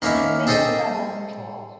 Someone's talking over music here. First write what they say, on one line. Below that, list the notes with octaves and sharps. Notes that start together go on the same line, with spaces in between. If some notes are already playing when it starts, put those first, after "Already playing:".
It remained rebel-controlled.
D#3 A#3 C#4 E4
G#4 A4 C5 D#5 G5 G#5